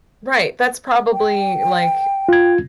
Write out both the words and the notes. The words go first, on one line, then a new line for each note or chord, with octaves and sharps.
Right, that's probably, like,
G5
F4 G#6